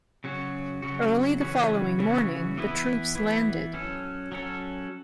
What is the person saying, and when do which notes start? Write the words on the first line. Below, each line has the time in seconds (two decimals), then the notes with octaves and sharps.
Early the following morning, the troops landed.
0.24 C#3 F#3 C#4 F#4
0.82 C#3 F#3 C#4 F#4
1.41 C#3 E3 C#4 F#4
1.99 C#3 E3 C#4 F#4
2.57 E3 B3 E4
3.15 E3 B3 E4
3.73 F#3 C#4 A4
4.32 F#3 C#4 A4